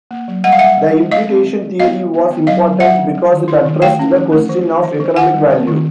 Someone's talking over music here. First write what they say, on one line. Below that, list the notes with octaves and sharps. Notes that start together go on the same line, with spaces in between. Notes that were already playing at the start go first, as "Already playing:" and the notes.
The imputation theory was important because it addressed the question of economic value.
A#3
F#3
G3 F#5
F5
G3 E5 F#5
G3
G3
G#3 D#5 F5
C4
G#3
G#3
B3 D#5 F5
G3
B3
B3
F#3 D#5 F5
F#3
F#3 E5 F#5
D4
G3
D#3
E4
D#3
A3 F5 G5
C#4
F3
A3
E3
E3
E3
E3
D#3 F#5 G#5
G3
C4
D#3